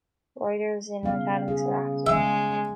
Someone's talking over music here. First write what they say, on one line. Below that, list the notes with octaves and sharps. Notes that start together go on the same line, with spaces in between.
Riders in italics are active.
C#3 G3 B3 F5
G#4
G#3 E5